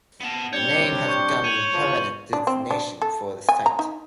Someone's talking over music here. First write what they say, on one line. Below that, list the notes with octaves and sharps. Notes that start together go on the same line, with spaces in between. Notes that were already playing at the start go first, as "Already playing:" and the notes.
The name has become a permanent designation for the site.
B3 A5
G3 C4 D4 C#5 G6 C#7 G7
C#6 G6
C#5 D#7 F#7
E2 G#2 F3
D4
C4
D4
A4
G#5
A#5
D#4